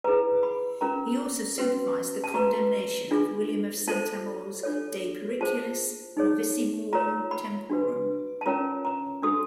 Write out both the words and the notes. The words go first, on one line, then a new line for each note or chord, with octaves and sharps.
He also supervised the condemnation of William of Saint Amour's "De periculis novissimorum temporum".
E4 G#4 B4 A#5
B5
C#4 F4 A#4 A#5
C#4 F#4 B4
A5
F#4 B4 A#5
D4 F4 G#4
F4 A4 C5 A5
D4 F4 A4 C#5
F4 G#4 C5 A5
D#4 G#4 C#5
F4 A#4 C#5 A#5
B5
D4 F#4 B4
A5
C#4 F4 A#4 C#5 A#5
A#5
D4 F#4 A4 D#6